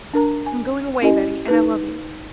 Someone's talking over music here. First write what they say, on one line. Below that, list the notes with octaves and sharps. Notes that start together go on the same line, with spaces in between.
I'm going away, Betty, and I love you.
D4 A#4 A#5
G#5
C#4 E4 G4 D#5 G#5
D#4 B4